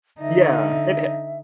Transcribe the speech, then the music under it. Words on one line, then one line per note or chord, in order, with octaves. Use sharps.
Yeah, it ha
D3 D#4 E5